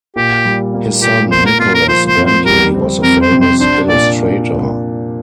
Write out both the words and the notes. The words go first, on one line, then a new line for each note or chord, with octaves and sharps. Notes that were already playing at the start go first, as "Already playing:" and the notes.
His son Nicolas Bentley was a famous illustrator.
A#2 G4
G3
A#3
A#2 G4
A#3 C5
A#4
A#3 F4
A#4
F3 C5
C5
F2
C5
G3 A#4
C4
F2 A#4
C5
C3
C5
D4 C5
A#2 D5